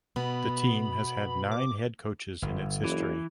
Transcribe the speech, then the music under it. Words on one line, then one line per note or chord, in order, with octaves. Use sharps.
The team has had nine head coaches in its history.
B2 B3 B5
D6
G1
F#1 E3